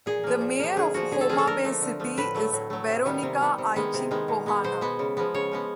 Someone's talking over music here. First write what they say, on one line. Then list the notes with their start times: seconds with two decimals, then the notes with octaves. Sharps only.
The mayor of Homa Bay city is Veronica Achieng' Kohana.
0.06 A#2 G#4
0.23 F3 A#3
0.41 A#2
0.59 F3 A#3
0.76 D3 G#4
0.94 F3 A#3 F#4
1.11 D3 G#4
1.21 A4
1.29 F3 A#3 G#4
1.38 A4
1.46 D3 A#4
1.64 F3 A3
1.82 D3
2.00 F3 A3
2.17 A2 B4
2.35 F#3 A3
2.53 A2
2.70 F#3 A3
2.88 C3
3.05 D#3 G3 B3
3.23 C3
3.40 D#3 G3 B3
3.58 C3
3.76 D#3 G#3 B3
3.94 C3
4.11 D#3 G#3 B3
4.28 B2
4.46 G#3 B3
4.64 B2 C5
4.81 G#3 B3
4.99 C#3
5.17 F3 G#3 B3
5.34 C#3 C#5
5.52 F3 G#3 B3